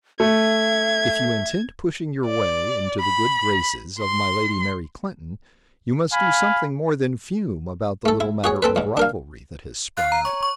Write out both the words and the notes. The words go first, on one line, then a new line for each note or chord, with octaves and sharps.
"If you intend pushing your way into the good graces of my lady Mary Clinton, you must do something more than fume about the little matter of rivalry that has sprung up."
A3 E5 G#6
D5
B5
C6
F5 G#5 B5
A3 A4
E4
F#4 G#4 C#5
C4 A4 B4
E2 G#2
D4 A#4 F5
F5 F#6
A#5
C#5 C#6
C#6